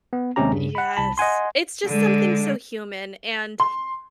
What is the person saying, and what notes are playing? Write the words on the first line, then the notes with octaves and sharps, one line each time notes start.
Yes, it's just something so human, and,
B3
D#2 C3 G#3 C#4 G4 A#5
G2 C#3
F#5 B5
C2 A5 B5
D#5 F#5 G#5 C6
D3 G#3
C6